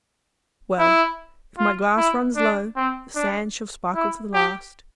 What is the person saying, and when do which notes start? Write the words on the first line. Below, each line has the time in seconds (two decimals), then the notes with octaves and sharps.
Well! if my glass runs low, the sands shall sparkle to the last.
0.79 E4
1.58 F4
1.97 E4
2.36 D4
2.76 C4
3.15 D4
3.95 E4
4.34 G4